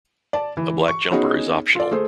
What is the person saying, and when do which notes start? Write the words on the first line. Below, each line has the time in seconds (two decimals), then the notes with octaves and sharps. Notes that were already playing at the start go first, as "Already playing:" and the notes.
A black jumper is optional.
0.33 D5 A5
0.57 E3
0.88 C#6
1.11 B3 C#4 D#4 F#4 G#4 C#5
1.75 F4 A4 D5
1.91 A3 G#4 C5